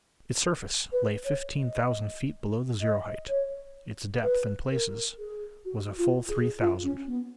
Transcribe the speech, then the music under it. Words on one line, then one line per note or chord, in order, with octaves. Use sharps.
Its surface lay fifteen thousand feet below the zero-height; its depth in places was a full three thousand.
B4
C#5
D#5
D#5
C#5
B4
A#4
G#4
F#4
F4
G#4
F4
C#4
B3